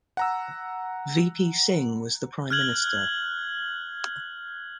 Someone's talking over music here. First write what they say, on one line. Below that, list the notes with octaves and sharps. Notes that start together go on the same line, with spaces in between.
V. P. Singh was the Prime Minister.
F#5 A#5 E6
F6 F#6 G#6 F#7 G7